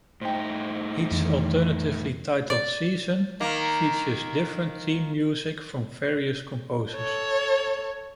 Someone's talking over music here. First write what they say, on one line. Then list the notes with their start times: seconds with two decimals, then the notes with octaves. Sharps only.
Each alternatively titled season features different theme music from various composers.
0.21 A2 D#4 C5 G5
1.11 F2 D#3 E3
2.50 D5
3.40 D#3 A#3
6.93 A4 C#5